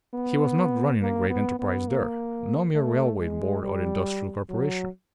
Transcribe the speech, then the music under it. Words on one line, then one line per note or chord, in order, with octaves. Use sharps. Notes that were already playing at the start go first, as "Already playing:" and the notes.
He was not running a great enterprise there; no mere railway board or industrial corporation.
B3
A#3
B3
B3
A#3
A3
G#3
G3
F#3